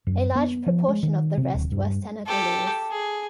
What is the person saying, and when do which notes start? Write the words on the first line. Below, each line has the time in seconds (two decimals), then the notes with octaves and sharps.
A large proportion of the rest were Senegalese.
0.07 F#2
0.36 B3
0.66 F3
0.88 G#3
1.03 D#3
1.37 C3
1.54 D1
1.72 G2
2.26 G4 A4
2.91 G#4